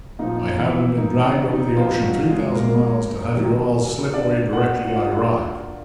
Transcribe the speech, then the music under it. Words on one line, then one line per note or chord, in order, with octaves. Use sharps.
I haven't been dragged over the ocean three thousand miles to have you all slip away directly I arrive.
A#2 F3 D#4
E3 E4
D#4
D4
D#4
F3 F4
F#3 F#4
G#3 G#4
A#3 A#4
C3 D#3 F#3
D4 D5
F#4 F#5
F#5
F4 F5